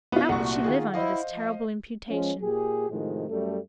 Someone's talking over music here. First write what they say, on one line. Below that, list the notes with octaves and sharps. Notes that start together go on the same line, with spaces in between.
How could she live under this terrible imputation?
B3 F4
C2 A#2 A3 F#4 F#5 C#6
D#3 F4 G#4
E4 C5 D#5 F5
F3
F3 G#3 C#4
A#2 G4 G#4
A2 C3 D#3 F3 G#3
F#2 G3 A3